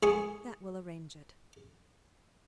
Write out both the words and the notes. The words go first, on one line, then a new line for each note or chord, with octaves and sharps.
"That will arrange it."
G#2 G#4 C#6 D#6